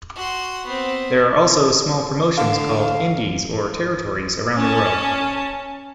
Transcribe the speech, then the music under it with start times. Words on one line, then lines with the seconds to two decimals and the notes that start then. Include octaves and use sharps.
There are also small promotions called indies or territories around the world.
0.15 F#4 C6
0.66 B3 C4
2.37 D3 F5
4.57 C#4 A5